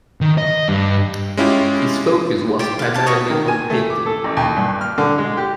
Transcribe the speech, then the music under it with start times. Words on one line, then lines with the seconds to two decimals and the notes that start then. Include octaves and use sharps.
His focus was primarily on painting.
0.21 D#3
0.38 D#5
0.68 G2
1.37 G#3 C#4 E4 F4 G4
2.59 F4 G4 C5
2.79 F5 F#5
2.94 F5 A5
3.06 E4 F#4 C#5 D#5
3.30 D#3
3.48 G#5
3.70 A3
3.90 D6
4.06 A4
4.24 A1
4.37 D#2
4.56 G2
4.81 F6
4.98 D3
5.18 G#3
5.37 G4